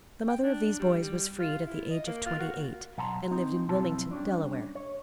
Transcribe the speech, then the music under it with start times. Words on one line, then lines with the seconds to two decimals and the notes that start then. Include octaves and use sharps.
The mother of these boys was freed at the age of twenty-eight, and lived in Wilmington, Delaware.
0.27 G5
0.43 D4
0.80 G3
1.02 G3
1.40 F4
1.66 E4
1.90 D#5
2.07 A#3
2.26 F4
2.40 F#4
2.55 A#3
2.98 B1 F#5 A5 A#5 C6
3.31 C4 D#4
3.68 B1 F3 C4 E4 A5
4.11 G3 C#4 D4
4.75 C#5